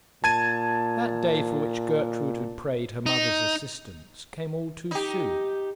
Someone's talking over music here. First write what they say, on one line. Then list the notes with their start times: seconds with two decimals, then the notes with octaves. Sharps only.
That day for which Gertrude had prayed her mother's assistance came all too soon.
0.24 A#2 A5 G#6 D#7
3.06 D#4
4.91 D#4 G4